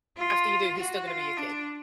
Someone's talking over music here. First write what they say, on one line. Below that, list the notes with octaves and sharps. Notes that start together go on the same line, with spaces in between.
After you do, he's still gonna be your kid.
F4
F#4
F4
D4